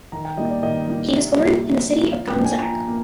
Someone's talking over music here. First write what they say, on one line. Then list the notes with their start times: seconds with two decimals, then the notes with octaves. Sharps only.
He was born in the city of Gandzak.
0.12 D#3 A#5
0.25 G5
0.37 G3 A#3 D#4 D#5
0.50 D5
0.63 D#3 D#5
0.87 G3 A#3 D#4
1.12 C3
1.37 G3 A#3 D#4
1.63 C3
1.87 G3 A#3 D#4
2.12 F3 F5
2.30 G5
2.38 A#3 D4
2.45 G#5
2.62 F3 A#5
2.88 A#3